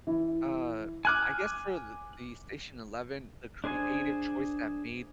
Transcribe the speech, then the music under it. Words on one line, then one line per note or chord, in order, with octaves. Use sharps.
uh, I guess for th the Station Eleven, the creative choice that made
E3
G#5 D6 F6 F#6 G#6
D4 G#4 C5 G#5